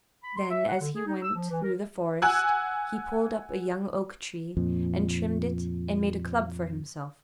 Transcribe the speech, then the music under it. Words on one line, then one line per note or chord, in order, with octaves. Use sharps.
Then, as he went through the forest, he pulled up a young oak tree and trimmed it and made a club for himself.
B5
C6
E5
F#5
D3
G#4
D#4
E6
F3
E3
A#4
F#5 G#5 E6 F#6
F2 A#2